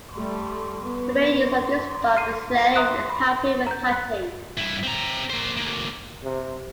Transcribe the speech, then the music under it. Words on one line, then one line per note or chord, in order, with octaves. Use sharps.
The main use of this dog is sledding and helping with hunting.
G3 A3
B3
F6 C7 D#7
E5 A#5 D#6 F#6
B5
A#5 G6
F#6
G2 E4
C4 A#5
A#3 C5
D2 A#3
C3